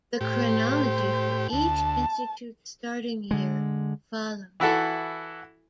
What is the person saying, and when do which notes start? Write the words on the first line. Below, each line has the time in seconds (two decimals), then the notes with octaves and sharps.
The chronology for each institute's starting year follows.
0.21 A2 G4 C5
1.53 D2 A5
3.31 D3 G#3
4.60 E3 E4 F#4 A4